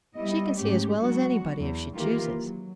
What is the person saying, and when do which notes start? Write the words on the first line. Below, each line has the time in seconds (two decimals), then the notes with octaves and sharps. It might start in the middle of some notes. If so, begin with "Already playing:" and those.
She can see as well as any body, if she chooses.
0.16 G3 B3 E4 D#5
0.60 G#2 G#3 A3 C#4 G4
0.96 F#3 G#3 B3 D4 F#4
1.58 E2
1.95 D#3 E3 A#3 F4 G4 A#4
2.37 F#3